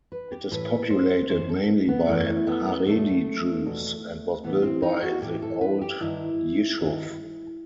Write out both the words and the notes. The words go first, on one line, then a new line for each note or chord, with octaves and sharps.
It is populated mainly by Haredi Jews and was built by the Old Yishuv.
B4
G4
A2 E3 B4
C5
F#2 E3 C5
A4
B3
F#2 E3 A3
B3
E2 B2 A3
E2 B2
A2 E3 B3
C4
D#4
F#4
A2 E3 G4
A4
B4
G4
G2 D#3 E4
G2 D#3